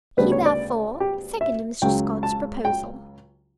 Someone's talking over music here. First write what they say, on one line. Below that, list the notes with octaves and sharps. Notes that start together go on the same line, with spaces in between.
He therefore seconded Mr. Scott's proposal.'
D2 C#3 G3 B3 D4 B4
C#5
D5
G4
E5
C#2 C#3 F#3 G5
A5
G5